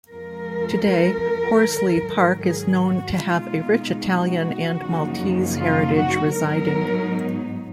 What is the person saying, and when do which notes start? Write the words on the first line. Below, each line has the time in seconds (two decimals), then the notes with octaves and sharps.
Today, Horsley Park is known to have a rich Italian and Maltese heritage residing.
0.12 F2 F3 G#3 A#4
1.68 G#2 D#3 F#3
2.45 G#4
2.84 F#4
3.23 B2 G#3 D#4 F4
4.00 F#4
4.78 F#2 C#3 F3 A#3 D#4
5.57 F4
5.96 F#4
6.34 G#2 F#3 B3 D#4 A#4